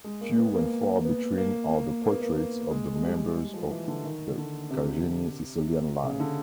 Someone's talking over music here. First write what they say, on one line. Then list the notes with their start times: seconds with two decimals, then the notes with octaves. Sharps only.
Few and far between are the portraits of the members of the Gagini’s Sicilian line.
0.04 G#3
0.21 A#3
0.38 B3
0.55 A#3
1.05 B3
1.38 A#3
1.70 A#3
2.04 A#3
2.13 B3
2.22 A#3
2.37 A#3
2.70 G#3
2.95 G#3
3.04 G3
3.54 F3
3.71 E3
3.88 D3
4.04 D#3
4.38 D3
4.70 C3
6.03 C#3
6.20 D3